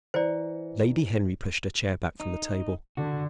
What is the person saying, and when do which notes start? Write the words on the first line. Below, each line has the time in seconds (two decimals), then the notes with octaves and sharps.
Lady Henry pushed her chair back from the table.
0.14 E3 C5 D5 A#5 C#7
2.20 D#4
2.97 D3 F#4